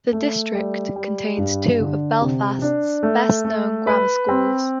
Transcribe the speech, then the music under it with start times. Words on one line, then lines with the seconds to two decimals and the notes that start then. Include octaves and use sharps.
The district contains two of Belfast's best known grammar schools.
0.12 A3
0.55 G3
0.96 G3
1.37 G2
1.79 D3
2.21 C3
2.62 D4
3.03 A3
3.44 A3
3.87 B4
4.28 C4